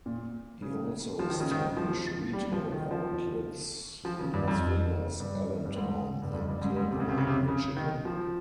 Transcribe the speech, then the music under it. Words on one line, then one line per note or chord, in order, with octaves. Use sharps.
He also established retail outlets in Las Vegas, Allentown, and Dearborn, Michigan.
A#2
C#3
F3
D#3
C#3
D#3
F3
G3
F3
D#3
F3
F3
C#3
G2
F2
G2
G2
G#2
G2
F2
G2
G#2
G#2
C3
C#3
C3
C#3
C3
C#3
D#3
F3